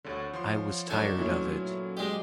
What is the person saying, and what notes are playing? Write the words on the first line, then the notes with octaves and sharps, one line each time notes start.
I was tired of it.
D2 D3 C4 C#5 F#5
F3 C6
D3 F#3 D4 D#4 F#4 A4 C#5
A#2 F#3 A3 B3 C#4 E4
G#3 G4 C5 D5 D#5